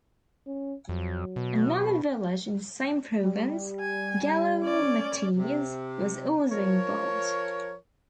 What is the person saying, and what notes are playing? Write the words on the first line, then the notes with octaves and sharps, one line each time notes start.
Another village in the same province, Gallo Matese, was also involved.
C#4
F2 F#3
B2
G3
G#5
C#4 D5
C3
F3 A#4 C#5